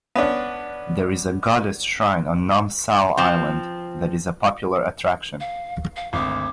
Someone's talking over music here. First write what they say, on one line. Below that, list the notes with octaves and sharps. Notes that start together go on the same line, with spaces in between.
There is a goddess shrine on Nom Sao Island that is a popular attraction.
B3 C#4 D4
F3 C4
F5
F5
G#1 D2 D6